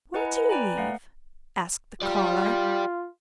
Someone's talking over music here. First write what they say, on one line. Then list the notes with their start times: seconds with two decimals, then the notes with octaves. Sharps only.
"Where do you live?" asked the collar.
0.14 E4 B4 D#5 F#5 G#5 A#5
0.49 B4 D5 G5 G#5 A#5 B5
0.77 A3 F5 F#5
2.02 F4 G4 D5